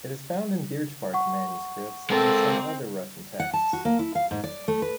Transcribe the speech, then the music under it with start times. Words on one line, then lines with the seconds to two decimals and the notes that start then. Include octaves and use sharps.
It is found in birch bark manuscripts and in some other Russian texts.
1.14 F#5 C#6
2.10 G#3 C4 A4 A#4
3.40 F#5
3.53 A5
3.73 F#4
3.85 A#3
3.99 E4
4.15 F5
4.31 G#2
4.44 D5
4.68 A3
4.82 B4